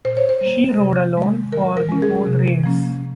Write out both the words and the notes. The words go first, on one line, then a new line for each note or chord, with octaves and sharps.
She rode alone for the whole race.
A#2 C5
C#5
C5
G3 A#3
C3
D#3 G#3
D#3 A#4
A#4
G#3 C#4
G#4
C3
F3 A#3 C#4